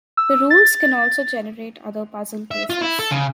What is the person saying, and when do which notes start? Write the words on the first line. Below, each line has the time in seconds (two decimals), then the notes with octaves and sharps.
The rules can also generate other puzzle cases.
0.17 E6
0.50 A6
2.51 E5
2.70 F4
2.82 E4
2.99 A4
3.12 C#3